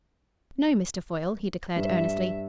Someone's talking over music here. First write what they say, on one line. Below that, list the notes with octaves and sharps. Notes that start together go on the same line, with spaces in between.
"No, Mr. Foyle," he declared earnestly.
G2 E5